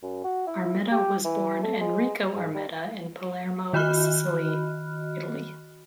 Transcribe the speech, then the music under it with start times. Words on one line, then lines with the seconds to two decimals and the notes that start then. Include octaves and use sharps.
Armetta was born Enrico Armetta in Palermo, Sicily, Italy.
0.03 F#2
0.24 F#4
0.47 E4
0.91 G4
1.25 E3
1.63 A3
1.80 G#3
2.36 G#2
2.54 G3
3.73 D#3 F#4 D#5 B5 F6 F#6